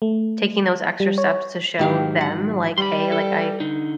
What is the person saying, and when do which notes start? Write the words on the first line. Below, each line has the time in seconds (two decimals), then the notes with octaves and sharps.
taking those extra steps to show them, like, "Hey. Like, I'm
0.02 A3
1.00 G3
1.18 C#5
1.79 G#2 D#3 F#3 G4 F5
2.21 F#5
2.78 G3 B5 C6
3.12 A4
3.60 D3 D#4